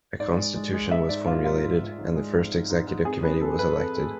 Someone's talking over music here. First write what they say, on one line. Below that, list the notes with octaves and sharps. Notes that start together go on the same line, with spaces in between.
A constitution was formulated and the first executive committee was elected.
G#2 D5
G#3
G#3
G#3
G#3 E5
G#2 D5
G#3 F4
G#2 F4
G#2
G#2
G#2
G#3
G#2
G#2
G#2
G#2
F2 G#4
F2 B4
F2 A4
F2 B4
F2 A4
A3